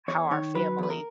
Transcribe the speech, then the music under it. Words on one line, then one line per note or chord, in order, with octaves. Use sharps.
how our family
E2 C#5
D#3 C#5
F#3 B4
E2 B4
A#4